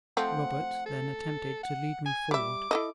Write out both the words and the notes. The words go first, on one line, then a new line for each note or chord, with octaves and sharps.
Robert then attempted to lead me forward.
F3 A3 C4 F#5
A4
F#5
G#5
G3 E5 D6
E4 A4 D#5